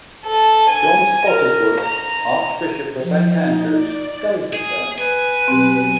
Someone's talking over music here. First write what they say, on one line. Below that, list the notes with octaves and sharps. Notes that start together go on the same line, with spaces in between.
John Spottiswoode, Archbishop of Saint Andrews gave the sermon.
A4
G#5
A#4
A#5
F3
D#4
D5
G#4
B4 G#5
B2 F#3 C4 G4